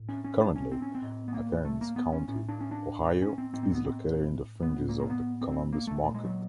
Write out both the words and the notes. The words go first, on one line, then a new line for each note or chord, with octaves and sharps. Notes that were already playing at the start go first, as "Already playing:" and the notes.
Currently Athens County, Ohio is located in the fringes of the Columbus market.
Already playing: A2
C#4
C#4
D4
C#4
C4
C#4
C4
A2
B3
A#3
A3
A#3
B3
C#4
A2 C#4
D4
C#4
D4
C#4
C4
A2 C4
C4
B3
C4
B3
A2
A#3
A#3
B3
C4
C4
A#3
A3
A#2 A3
G#3
F#3